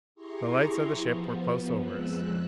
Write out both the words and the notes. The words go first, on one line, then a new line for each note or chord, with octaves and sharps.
The lights of the ship were close over us.
E4 G4 G#4 A#5 C6 C#6
F3 B3
F2 F3 G#3 E6 F#6